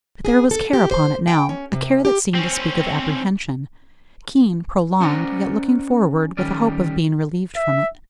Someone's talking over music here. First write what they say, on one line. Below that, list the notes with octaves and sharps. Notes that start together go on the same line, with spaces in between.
But there was care upon it now--a care that seemed to speak of apprehension--keen, prolonged, yet looking forward with a hope of being relieved from it.
G#4
A4
G4
C5
G5
C#4
C3
G4
C4 C#4
C#4 C5 D5 F#5 A#5
D#3 G3 C#4 D5
E5